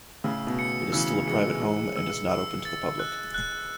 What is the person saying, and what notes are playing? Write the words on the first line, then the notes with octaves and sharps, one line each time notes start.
It is still a private home and is not open to the public.
A2 C#3 E6
B2
C#7
C#3 E3 E6
E3 G#3 C#7
E3 G#3 E6
E6
E6
A6
F#6
F#6